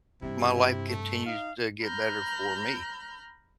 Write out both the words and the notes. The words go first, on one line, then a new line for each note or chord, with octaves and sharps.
my life continues to get better for me,
G2 C3 C4 E4
A3
D#4 F5
A#5 B5 F6 G6